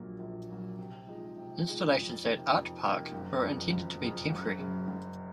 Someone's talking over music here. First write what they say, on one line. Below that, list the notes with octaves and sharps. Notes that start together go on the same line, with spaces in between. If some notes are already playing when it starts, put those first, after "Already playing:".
Installations at Artpark were intended to be temporary.
Already playing: A#1 A#2 F#3 A#3
A#1
A#2 F#3 A#3
C3
F3 G#3 D#4
C3
F3 G#3 D#4
F2
C3 D#3 A#3
F2
C3 D#3 A#3
F#1
F2 C#3
F#1
F2 C#3
F#1
F#2 C#3
F#1